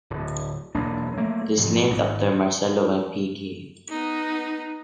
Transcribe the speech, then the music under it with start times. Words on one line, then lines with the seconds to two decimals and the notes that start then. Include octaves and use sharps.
It is named after Marcello Malpighi.
0.10 D1
0.75 E1 B1 A#3 D4
1.17 F#3 A3 A#3
1.57 G#2 C3 F3 F#3
1.90 G#1
3.89 B3 D#4